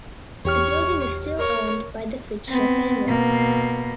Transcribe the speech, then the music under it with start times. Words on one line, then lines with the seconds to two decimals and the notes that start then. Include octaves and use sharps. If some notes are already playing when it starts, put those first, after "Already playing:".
The building is still owned by the Fritzsche family.
0.45 E2 G4 C#5 C#6 F6
1.38 A#4 C#5
2.47 B3 C4
3.06 B2 A#3